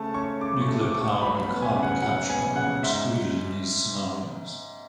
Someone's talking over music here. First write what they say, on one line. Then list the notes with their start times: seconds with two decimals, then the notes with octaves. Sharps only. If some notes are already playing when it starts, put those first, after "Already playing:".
Nuclear power and carbon capture are excluded in these scenarios.
Already playing: C#3 A3 A5
0.14 C#4 C#6
0.41 C#3 D6
0.61 C#6
0.68 A3
0.81 D6
0.94 A3
1.01 C#6
1.22 F#3 B5
1.42 B5
1.48 B3
1.62 G#5
1.76 C#3
1.83 F#5
2.02 F#3 F#5
2.29 B3 G#5
2.56 C#3 F#5
2.83 G#2 E5